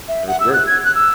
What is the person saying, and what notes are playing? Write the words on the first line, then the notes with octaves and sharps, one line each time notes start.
that's great.
E5
F#5
E6
F#6
G#6
F#6
E6